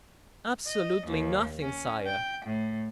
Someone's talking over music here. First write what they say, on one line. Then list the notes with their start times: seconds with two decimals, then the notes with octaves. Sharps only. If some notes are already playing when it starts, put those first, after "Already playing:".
"Absolutely nothing, sire."
0.67 D#5
1.08 D#2
1.59 C#4
2.07 G5
2.46 A2